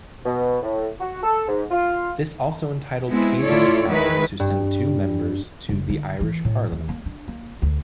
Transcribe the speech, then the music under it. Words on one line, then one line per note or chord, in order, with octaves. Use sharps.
This also entitled Cavan town to send two members to the Irish parliament.
B2
A2
F#4
A4
G#2
F4
G#3 B3 C4 E4
A2 E4 F4 A4 C#5 D5
D#3 G#3 E4 B4
G2
F#1
D3
E3
A2
D#2
A#3
D4
A#3
D2